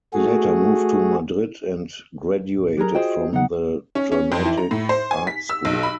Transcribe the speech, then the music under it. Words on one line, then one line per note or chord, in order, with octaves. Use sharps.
He later moved to Madrid and graduated from the Dramatic Art School.
A3 F#4 G#4
C2 A2
F#3 D4 G4 G#4 A#4
F4 F#4 G#4 C5 D#5 G5
C#3 F#3 B3 D#4 F#5
C#4
C#4
F2
E3
A#5
A2
C5
G#5
B6
E6
B1
B5